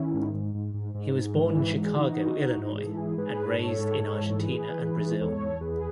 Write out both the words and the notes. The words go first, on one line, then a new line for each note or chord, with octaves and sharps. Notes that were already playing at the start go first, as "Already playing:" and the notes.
He was born in Chicago, Illinois, and raised in Argentina and Brazil.
Already playing: D#3 C#4 E4
G#2
G#2
G#2
G#2
G#2
G#2
E3
G#2
E3
G#4
E3 D#4 F#4
E3
E3
G#2
E3 G#4
A4
G#2 E4 G#4
G#2 G#4 B4
G#2
G#2 A4 C#5
G#2
G#2
E3
A4
E3 G#4 B4
E3
E3
G#2
E2 A4 C#5
E2
E2 G#4 B4